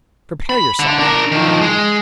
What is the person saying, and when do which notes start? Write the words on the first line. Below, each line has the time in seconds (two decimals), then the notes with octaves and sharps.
Prepare yourself.
0.49 B5
0.79 D3
0.99 D4 A#4
1.32 D#3 F3
1.61 G#3